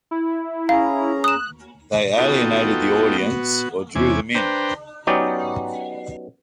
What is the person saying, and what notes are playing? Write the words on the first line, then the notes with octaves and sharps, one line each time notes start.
They alienated the audience or drew them in.
E4
C#4 G#4 F5 A#5
D#6 F#6 E7
B3 D#4 F4 F#4 A4 G5
B3 F#4
E2 C3 C#4 E4 G#5 D6
D4 B4 C5 G5 A#5
F#3 B3 C#4 D#4 G4 D5